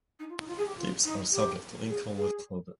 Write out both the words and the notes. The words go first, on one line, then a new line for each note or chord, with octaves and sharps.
Tips are subject to income withholding.
D#4
F4
D#4
F4
G#4
G4
F4
D#4
G4
G#4
G#4